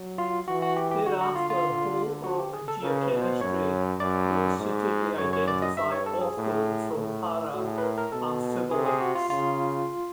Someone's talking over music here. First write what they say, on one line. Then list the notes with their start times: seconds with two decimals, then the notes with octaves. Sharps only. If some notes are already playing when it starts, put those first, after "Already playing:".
Thereafter, whole rock geochemistry will suitably identify ortho- from para-amphibolites.
Already playing: F#3
0.18 F4
0.48 E3 F#4
0.62 F#4
0.76 G4
0.91 G4
1.06 D3 F#4
1.21 F#4
1.36 F4
1.50 F4
2.24 F#4
2.39 G4
2.53 G#4
2.68 A4
2.83 C#3 A#4
3.02 B4
3.12 B2
3.22 C5
3.41 F#2 C#5
4.00 F#2 D5
4.59 G#2
5.18 F#2 C#5
5.33 C#5
5.48 D5
5.62 D#5
5.77 G2 E5
5.92 C#5
6.06 A4
6.21 G#4
6.36 A2
6.95 A2
7.54 A2 F#4
7.68 G#4
7.78 B4
7.83 A#4
7.98 A#4
8.12 B2 A4
8.71 C3 G#4
8.86 G#4
9.00 F#4
9.15 F4
9.30 C#3 F4